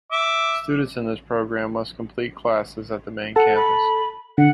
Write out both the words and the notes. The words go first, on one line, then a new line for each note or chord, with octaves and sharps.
Students in this program must complete classes at the main campus.
E5 D6
A4 F#5 A5
B5
D3 F#5